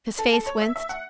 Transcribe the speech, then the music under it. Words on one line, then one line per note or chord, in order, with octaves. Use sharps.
His face winced.
A4
A4
C#5
E5
E5
F#5